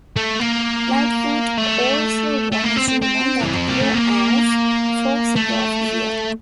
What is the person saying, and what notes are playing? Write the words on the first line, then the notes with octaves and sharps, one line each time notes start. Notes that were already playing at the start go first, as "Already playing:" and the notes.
Lightfoot also won a Juno that year as "Folk Singer of the Year".
A3
A#3
A3
A3
A#3
C4
C4
C4
E3
F3
G3
A3
A#3
A3